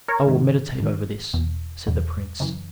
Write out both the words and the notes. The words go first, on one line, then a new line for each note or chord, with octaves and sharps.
"I will meditate over this," said the prince.
A#4 C#5
G#2 D#3
G#2 D#3
E2 B2
E2 B2
F#2 C#3 E3